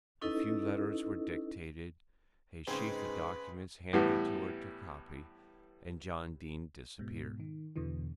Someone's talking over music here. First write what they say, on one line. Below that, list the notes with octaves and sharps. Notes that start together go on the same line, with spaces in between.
A few letters were dictated, a sheaf of documents handed to her to copy, and John Dene disappeared.
C#4 D#4 E4 A4 B4 D#5
G#2 C#3 G#3 C4 B4
A2 E3 G3 B3
G#2 B2
D#3
E2 B2 D3 E3